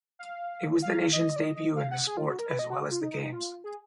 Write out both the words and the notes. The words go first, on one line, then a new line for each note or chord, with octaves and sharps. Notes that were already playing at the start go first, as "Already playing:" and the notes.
It was the nation's debut in the sport as well as the Games.
F5
F5
D#5
D5
D#5
F5
F#5
G#4
F4
F#4
A#4
B4
D#5
F#4
F4
D#4
D#4
D#4
F4
G#4